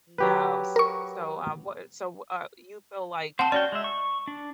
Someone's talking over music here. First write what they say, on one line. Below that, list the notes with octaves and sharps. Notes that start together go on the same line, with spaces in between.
no, s so, um, what so, w uh, you feel like
F#3 G4 B4
A#4 C#6
C4 C5 F#5 A5
C#4 F#4 D5 G5
G#3 E5
C#6
D4